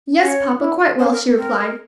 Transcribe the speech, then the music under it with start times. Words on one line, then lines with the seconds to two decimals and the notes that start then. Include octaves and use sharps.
"Yes, papa, quite well," she replied.
0.22 C#4 C#5
0.61 E4
0.99 C#4 C5
1.12 A#4
1.37 C4 A#4